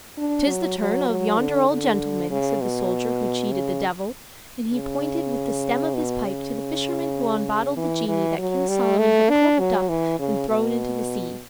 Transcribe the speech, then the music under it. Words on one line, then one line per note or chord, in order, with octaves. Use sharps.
"Tis the turn of yonder old gentleman," said the Soldier who cheated the Devil, and he pointed with the stem of his pipe to the Fisherman who unbottled the Genie that King Solomon had corked up and thrown into the sea.
D4
F#3
F#3
F#3
D3
D3
C#3
B2
C#3
C#3
B2
C#3
E3
E3
F#3
G3
A3
D4
F#3
E3
C#3
B2